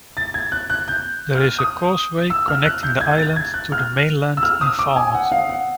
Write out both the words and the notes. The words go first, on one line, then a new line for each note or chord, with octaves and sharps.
There is a causeway connecting the island to the mainland in Falmouth.
A6
G#6
F#6
F#6
G6
F6
D#6
E6
F6
F#6
G6
G#6
A6
G#6
F#6
F6
E6
F6
D#6
D6
G#5
F#5
F5
F#5